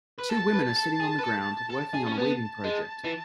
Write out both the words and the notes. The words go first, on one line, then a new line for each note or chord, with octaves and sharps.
Two women are sitting on the ground working on a weaving project.
B4
A4 A5
B4
A4
G#4
B4
A4
A4
G#4
C#4
B3 A5
G#3
E3